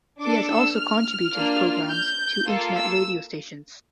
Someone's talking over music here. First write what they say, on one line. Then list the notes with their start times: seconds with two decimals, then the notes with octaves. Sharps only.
He has also contributed programmes to Internet radio stations.
0.21 D4 A4 D6
0.50 E6
0.78 F6
1.35 A#3 D4 F4
1.90 G6
2.48 A#3 F4 A4
2.76 E6